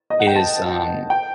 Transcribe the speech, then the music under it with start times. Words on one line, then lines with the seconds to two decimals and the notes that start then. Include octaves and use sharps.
is, um,
0.10 D#5
0.20 F#5
0.27 G5
0.36 A5
1.10 G5